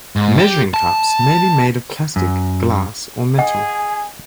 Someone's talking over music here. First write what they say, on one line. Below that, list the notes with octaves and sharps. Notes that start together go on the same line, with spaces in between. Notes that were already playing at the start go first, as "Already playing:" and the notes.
Measuring cups may be made of plastic, glass, or metal.
G#2
G4
A5
F#2
G#4 D#5 F#5 G#5